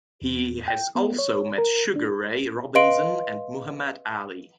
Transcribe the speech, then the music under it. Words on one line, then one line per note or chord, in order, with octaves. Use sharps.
He has also met Sugar Ray Robinson and Muhammad Ali.
E2
G5
B3
C#5
A#4
D4
B4 D#5 F5 C6 D7 F#7